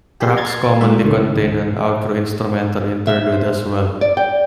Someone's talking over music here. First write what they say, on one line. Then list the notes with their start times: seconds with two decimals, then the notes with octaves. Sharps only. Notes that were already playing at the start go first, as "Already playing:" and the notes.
Tracks commonly contain an outro instrumental interlude as well.
0.20 G4 G#4 B5 C6
0.37 A#5 C6 G#6 A6
0.81 G#2 A3 F#4 E5
1.04 C#2 A2 D#3
3.07 E5
3.32 C5
4.01 D5
4.17 G5